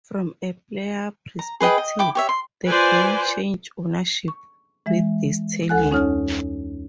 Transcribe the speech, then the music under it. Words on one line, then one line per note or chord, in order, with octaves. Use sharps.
From a player perspective, the game changed ownership with this telling.
A#5
G#4 B4 D#5 G5
D#5
E4 G5 D6
G4 C#5 E5
C6
F4 B4 C5 D5 G#5
C#6
E3 G#3 E5
D2 A4 F#5 G#5 F#6
F2 C#4 D#4 C#5 F6